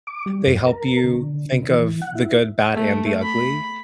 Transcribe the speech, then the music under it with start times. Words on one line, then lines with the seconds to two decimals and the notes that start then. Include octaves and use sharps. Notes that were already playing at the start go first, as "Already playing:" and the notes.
they help you think of the good, bad, and the ugly,
0.07 D6
0.26 G3
0.47 F#2
0.66 A#4
1.04 C#3
1.21 D3
1.52 C#3
1.69 E3
2.01 F#5
2.15 E4
2.74 A3
3.22 B5